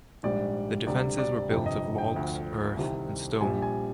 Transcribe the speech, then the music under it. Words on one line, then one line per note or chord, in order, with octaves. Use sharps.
The defences were built of logs, earth, and stone.
A#1 G#2 G3 D5
D2 C3 G3 D5
D5
G1 F2 C3 G5
D#5
G5
D2 D3 F3
C2 C3 D#3 G3
A#1 A#2 G3 G#5
G#5